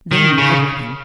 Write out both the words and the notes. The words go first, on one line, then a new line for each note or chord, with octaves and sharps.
They knew everything.
D#3
C#3